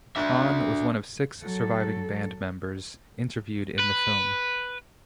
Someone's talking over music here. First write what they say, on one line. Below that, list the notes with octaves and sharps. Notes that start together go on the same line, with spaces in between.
Cron was one of six surviving band members interviewed in the film.
D4 E5
F#3 A4
B4